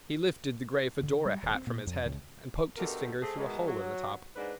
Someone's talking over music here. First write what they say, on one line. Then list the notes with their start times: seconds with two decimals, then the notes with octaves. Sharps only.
He lifted the gray fedora hat from his head, and poked his finger through a hole in the top.
1.03 D3
1.25 G3
1.43 D#1
1.55 C4
1.67 A#2
1.87 F2
2.05 C#2
2.77 B2 D3 A3 G4 A#4
3.22 A3 C4 G#4
3.37 B2 D#3 E3 G#3
3.67 F#3
4.35 G#2 C4 D4 B4